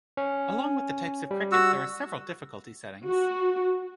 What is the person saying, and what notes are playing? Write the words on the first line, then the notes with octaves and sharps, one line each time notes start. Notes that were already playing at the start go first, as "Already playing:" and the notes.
Along with the types of cricket there are several difficulty settings.
C#4
G3
F#4 E6
F#4